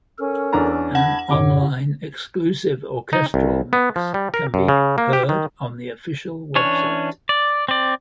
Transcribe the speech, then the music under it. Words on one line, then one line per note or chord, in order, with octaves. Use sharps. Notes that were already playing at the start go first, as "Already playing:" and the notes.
An online exclusive "orchestral" mix can be heard on the Official website.
C#4 A4 A#4
E2 D4 A#5
F#5 A5 B5 G#6
F#2 A2 C3 C#5 D6
D#4
C2
B3
F3
G3
A#4
F#2
C#3
A#3
G4
D#3
E3 C#4 D4 C#5
D5
C4 D5